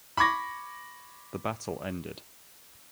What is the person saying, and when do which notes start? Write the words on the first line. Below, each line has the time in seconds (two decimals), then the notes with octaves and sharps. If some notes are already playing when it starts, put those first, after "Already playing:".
The battle ended.
0.17 B5 C#6 D6 G#6 A#6